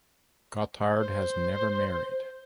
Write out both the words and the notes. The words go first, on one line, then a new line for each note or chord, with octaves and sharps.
Gothard has never married.
C5